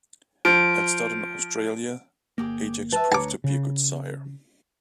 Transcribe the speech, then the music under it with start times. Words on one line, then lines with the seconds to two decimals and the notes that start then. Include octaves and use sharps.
At stud in Australia, Ajax proved to be a good sire.
0.45 F3 D7
2.38 G1 A#3 G4 G#4 D6
2.92 B4 E5 A5
3.12 D2 C#5 A5 A#5 D6
3.44 C#3